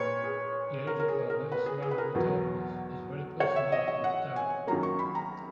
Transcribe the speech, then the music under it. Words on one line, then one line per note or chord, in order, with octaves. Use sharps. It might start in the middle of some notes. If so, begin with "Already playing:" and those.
The age of Homer is surrounded with darkness, his very personality with doubt.
Already playing: A#2 A#3 B4 C#5
G#4
A#4
A#4
G#4
A#4
B4
G#4
G#4
B4
A#4
E2 B2 F#3 B3
C#5
E5
D#5
D#5
F#5
G#5
F#2 D#3 F#3 A#3 A#5
C#6
B5
A#5